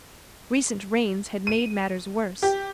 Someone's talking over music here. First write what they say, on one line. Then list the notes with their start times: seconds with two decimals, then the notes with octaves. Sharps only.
Recent rains had made matters worse.
1.47 D#7
2.43 G4